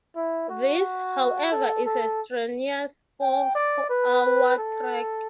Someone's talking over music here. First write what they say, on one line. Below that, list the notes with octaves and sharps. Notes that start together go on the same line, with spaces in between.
This, however is a strenuous four-hour trek.
E4
F#4
A4
A4
G5
D5
B4
A4